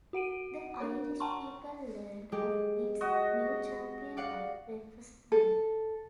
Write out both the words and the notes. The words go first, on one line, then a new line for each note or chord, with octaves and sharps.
The Irish people learned of its new champion at breakfast time.
F#4 F#5 D7 D#7
D4 A#4 C#5
F#5 G5 A5 A#5 C6 C#6
G#3 G4
F#4 D#5
D5 F5 F#5
A4